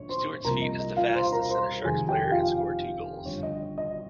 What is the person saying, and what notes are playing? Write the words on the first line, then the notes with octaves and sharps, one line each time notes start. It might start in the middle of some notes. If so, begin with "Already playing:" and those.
Stuart's feat is the fastest that a Sharks player has scored two goals.
Already playing: A#1 G#2 C#5 C#6
C5 C6
C2 C3 F3 A#3 A#4 A#5
D#5
D#5
F4 F5
C5 C6
A#4 A#5
C5 C6
F1 F2 D#3 G#4 G#5
G4 G5
F4 F5
G1 G2 F3 C#5
D#5
D#5